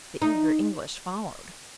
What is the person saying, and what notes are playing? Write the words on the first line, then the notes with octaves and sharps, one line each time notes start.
The eager English followed.
D#4